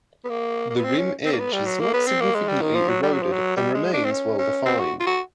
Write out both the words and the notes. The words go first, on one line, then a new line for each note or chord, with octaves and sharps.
The rim edge is not significantly eroded and remains well-defined.
B3
A#3
A#3
B3
C4
C#4
C4
A#3
B3
G3
F#3
A#3
B3
C4
A#3
G#3
G3
D#3
F3
F#3
G3
F#3
F3
F#3
G3
G#3
D4
C4
C#4
C#4
C4
F#4
F4
F#4